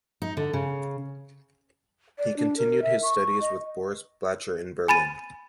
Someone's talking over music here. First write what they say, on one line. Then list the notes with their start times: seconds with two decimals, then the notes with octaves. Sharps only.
He continued his studies with Boris Blacher in Berlin.
0.22 D#4
0.37 D3
0.53 C#3
2.19 D5
2.37 D4
2.57 A#4
2.82 E5
3.03 C#6
3.41 D#5
4.88 G#5 B5 A6 D#7